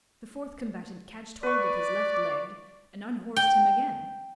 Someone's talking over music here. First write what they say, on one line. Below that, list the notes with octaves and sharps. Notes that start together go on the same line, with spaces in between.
The fourth Combatant catch'd hold of his Left Leg, and unhors'd him again.
B4 D5 C#6
G5